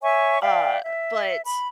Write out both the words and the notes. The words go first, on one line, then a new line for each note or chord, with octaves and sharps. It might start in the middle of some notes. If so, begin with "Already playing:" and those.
Uh, but
C#5 E5 G#5 C#6
D5 E5 F5 G5
E5
B5